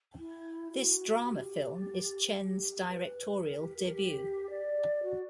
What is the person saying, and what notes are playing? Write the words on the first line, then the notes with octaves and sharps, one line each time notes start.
This drama film is Chen's directorial debut.
E4
F#4
G4
B4
A#4
G4
G4
A#4
G4
D5
F#4